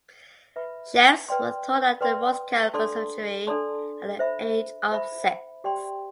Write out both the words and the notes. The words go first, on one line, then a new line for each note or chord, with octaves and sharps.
Scheps was taught at the Moscow Conservatory at the age of six.
B4 E5 B5
B4 D5 G5 C6
B4 D5 G5 C6
D4 A4 D5 A5 C6
D4 A4 D5 A5 C6
C5 E5 B5
C5 E5 B5
G4 D5 G5 C6